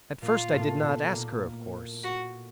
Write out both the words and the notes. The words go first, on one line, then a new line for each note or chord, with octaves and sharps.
At first I did not ask her, of course.
A#2 A#3 F4
A2 A3
B2 B3
A#2 A#3
F#4